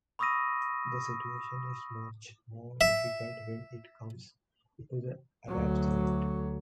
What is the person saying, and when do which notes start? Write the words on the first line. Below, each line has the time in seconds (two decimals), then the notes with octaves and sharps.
The situation is much more difficult when it comes to the Arab side.
0.19 B5 C#6 D#6 E6 A#6 D#7
2.81 E5
5.49 D2 F#3